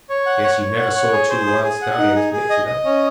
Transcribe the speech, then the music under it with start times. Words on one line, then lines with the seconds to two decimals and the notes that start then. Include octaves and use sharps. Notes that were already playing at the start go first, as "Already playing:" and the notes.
"Guess you never saw two wild stallions mix it up."
0.09 C#5
0.26 F#5
0.43 C#5
0.61 C#5
0.78 F#5
0.95 C#5
1.12 G#4
1.29 C5
1.46 G#4
1.64 G#4
1.82 F#5
1.98 D#4
2.15 G#4
2.33 G#4
2.50 D#5
2.66 D#5
2.84 C#4